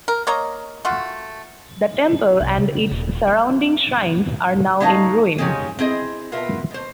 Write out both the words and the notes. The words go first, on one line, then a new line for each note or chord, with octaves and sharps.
The temple and its surrounding shrines are now in ruins.
A#4
A#3 C#5 D#5 A#5
A3 F4 F#4
C2
C#3
D#1
G3
A3 C#4 D#4 F5 G5 A#5
C#3 C4 D#4 G4 C#5 G#5
C4 E4 G#4 D#5
B2 F4 A#4 B4 E5
B2 C5